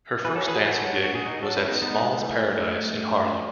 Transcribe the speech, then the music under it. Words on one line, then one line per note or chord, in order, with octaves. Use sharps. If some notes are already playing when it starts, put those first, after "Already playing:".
Her first dancing gig was at "Small's Paradise" in Harlem.
E3 B4
F#3 A4
E3
G#4 B4
F#3
E3 F#4 A4
F#3
F#4
G#4
D#4 F#4
F#3 F#4 A4
C#4 E4
B3 D#4
B3 D#4
G#3
E3 A3